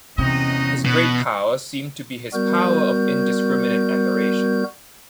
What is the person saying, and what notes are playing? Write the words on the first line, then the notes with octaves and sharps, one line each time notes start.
His great power seemed to be his power of indiscriminate admiration.
E2 C3 C#4 D#4 F#4 D#5
B2 B4 F#5
G3 B3 F#4 A#4 G6